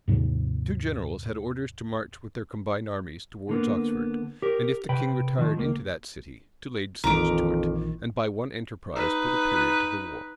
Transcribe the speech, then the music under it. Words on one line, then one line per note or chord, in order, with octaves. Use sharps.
The two generals had orders to march with their combined armies towards Oxford; and, if the king retired into that city, to lay siege to it, and by one enterprise put a period to the war.
D#2 G#2 C3 F3
D3 A#3 B3
G4 A#4
C3 B4 G5 B5
D#3 F3
C#2 A#3
A#1 F2 D#3 E3 F4 A#5 D6
D#4 B4